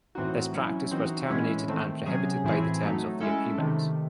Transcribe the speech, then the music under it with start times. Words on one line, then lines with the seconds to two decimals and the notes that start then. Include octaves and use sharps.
This practice was terminated and prohibited by the terms of the agreement.
0.15 A2 E3 C4 D#4 F#4
0.53 F#3 C#4 E4
0.91 E3 C4 D#4 F#4
1.29 A2 E3 G#3 C#4 E4
1.68 D#3 A3 C4
2.06 C3 F#3 C#4 G#4
2.44 A2 E3 C4 E4 G#4
2.82 F#3 A3 D#4
3.20 G#3 C#4 E4 A4
3.59 C3 D#3 A3